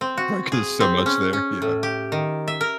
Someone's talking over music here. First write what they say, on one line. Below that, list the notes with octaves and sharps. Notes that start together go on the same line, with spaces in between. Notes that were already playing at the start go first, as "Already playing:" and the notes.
Right 'cause there's so much there, yeah.
C4
F#4
G#4
C4
C#4
C#4
A2
G4
D#3
E5
A#4